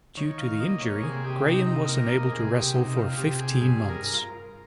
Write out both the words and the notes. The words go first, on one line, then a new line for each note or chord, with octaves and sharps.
Due to the injury, Graham was unable to wrestle for fifteen months.
D#3 C#5
F5
A#3 D#5
C#5
C3 G#4
G4
C3 D#4
D#4
A#3 A#4
D#5
A#4
C3 G#4
G4
C3 D#4
F4
C3 G4
G#4
G2 G#4
A#4
F4